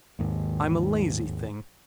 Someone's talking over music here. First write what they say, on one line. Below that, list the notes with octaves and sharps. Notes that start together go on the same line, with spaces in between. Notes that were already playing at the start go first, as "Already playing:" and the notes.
I'm a lazy thing.
D#2 G#2 D#3